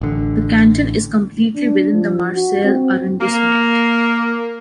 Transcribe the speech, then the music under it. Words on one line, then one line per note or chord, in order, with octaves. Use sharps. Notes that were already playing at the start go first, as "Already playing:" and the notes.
The canton is completely within the Marseille arrondissment.
A1 D3
D4
F3
F#4
C4
A#3